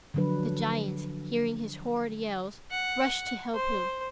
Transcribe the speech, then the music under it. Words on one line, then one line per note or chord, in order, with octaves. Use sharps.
The giants, hearing his horrid yells, rushed to help him.
D3 F3 F#3 D4 B4
F#5
C5